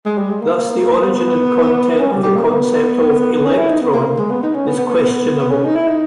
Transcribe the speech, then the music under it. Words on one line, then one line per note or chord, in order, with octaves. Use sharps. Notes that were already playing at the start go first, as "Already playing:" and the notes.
Thus, the origin and content of the concept of "electron" is questionable.
G#3
G3
G#3
A#3
B3
C#4
G3
G3
A#3
B3
C#4
E4
D#4
B3
A#3
G#3
B3
D#4
C#4
B3
B3
B3
B3
C#4
D#4
E4
D#4